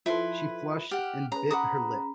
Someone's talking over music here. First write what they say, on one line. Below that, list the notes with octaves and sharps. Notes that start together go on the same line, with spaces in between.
She flushed and bit her lip.
F3 E4 A4 B4 C6
G4 F#5 F6
C#4 G#4 B4 A#5
F#5 A#5 B5 D6 D#6